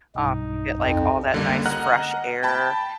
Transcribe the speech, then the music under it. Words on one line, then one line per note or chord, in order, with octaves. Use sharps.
um, you get, like, all that nice fresh air
B1 G2 D#4
F2
C#2 D3 G3 A#3
D#5 F#5 A#5 F6 F#6
G5 A5 B5